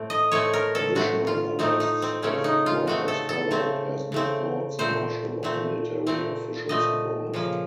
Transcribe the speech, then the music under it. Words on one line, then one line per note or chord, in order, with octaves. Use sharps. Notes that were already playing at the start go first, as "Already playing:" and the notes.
Additional arrests of workers followed, as did courts martial of military officials involved.
Already playing: A2 A3 C4
D#5
A2 A3 C4 C#5
A#4
A4
A2 A3 C4 F#4
F4
A2 A3 C4 D#4
D#4
C4
C#3 A3 C4 C#4
D#4
F4
C#3 A3 C4 F#4
A4
A4
C#3 A3 C4
C#3 A3 C4
A#2 A3 C4 C5
A#2 A3 C4
A#2 A3 C4
A#2 A3 C4 D#5
C#3 F3 A#3